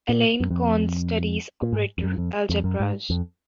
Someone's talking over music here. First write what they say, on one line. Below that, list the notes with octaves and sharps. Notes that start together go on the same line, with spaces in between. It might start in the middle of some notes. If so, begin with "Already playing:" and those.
Alain Connes studies operator algebras.
A#2
F#2
F2
A#2
G#2
F2
F#2
F2
F2
F#2
G#2
F2